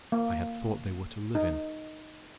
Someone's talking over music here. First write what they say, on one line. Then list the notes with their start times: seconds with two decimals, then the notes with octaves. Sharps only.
I had thought they were to live in.
0.12 A#3
1.35 D#4